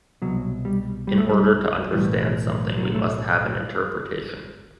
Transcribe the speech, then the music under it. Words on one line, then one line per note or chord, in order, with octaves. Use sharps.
In order to understand something, we must have an interpretation.
C2 B2 F#3
G3
G3
A3
G3
B1 A2 E3 G3
F#3
A3